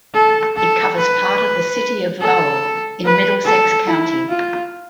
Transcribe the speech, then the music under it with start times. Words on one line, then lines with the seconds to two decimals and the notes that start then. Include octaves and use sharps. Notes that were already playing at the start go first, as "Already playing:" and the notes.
It covers part of the city of Lowell in Middlesex County.
0.14 A4
0.56 A4
0.98 B4
2.21 A4
3.04 B4
3.45 A4
3.86 E4
4.28 F4